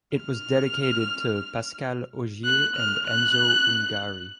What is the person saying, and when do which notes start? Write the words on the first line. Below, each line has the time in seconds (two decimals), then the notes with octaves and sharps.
It was dedicated to Pascale Ogier and Enzo Ungari.
0.18 F6
2.45 F#6
2.76 F6
3.06 F#6